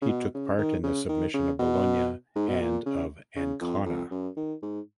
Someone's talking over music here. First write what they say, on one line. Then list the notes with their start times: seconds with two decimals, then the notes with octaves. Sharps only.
He took part in the submission of Bologna and of Ancona.
0.02 C#3
0.09 B2
0.35 C#3
0.59 D#3
0.84 C#3
1.09 D#3
1.34 C#3
1.59 B2
2.36 G#2
2.49 B2
2.61 A#2
2.86 C#3
3.36 C#3
3.61 F2
3.86 F2
4.11 F#2
4.37 D#3
4.62 G#2